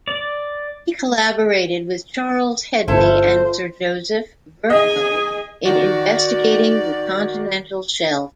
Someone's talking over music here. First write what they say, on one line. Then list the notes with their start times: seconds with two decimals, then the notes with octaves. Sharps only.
He collaborated with Charles Hedley and Sir Joseph Verco in investigating the continental shelf.
0.08 D5
2.88 G1 E4 F4 A4 C5
4.70 G#4 D#5 G#5
5.66 D#3 F#4 D5